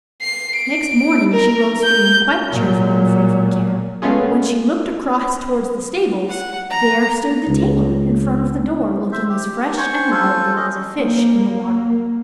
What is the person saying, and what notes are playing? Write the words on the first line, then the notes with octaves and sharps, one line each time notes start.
Next morning she rose feeling quite cheerful and free from care, but when she looked across towards the stables, there stood the tailor in front of the door looking as fresh and lively as a fish in the water.
C7
D7
A#4
G6
A#2 F#3
G#3 A3 B3 C#4 F4 G#4
F#5
A#5
C#2
C5 E5
G4
C5 G#5 C#6
F4 A4 C5
C#4 D#5
A#3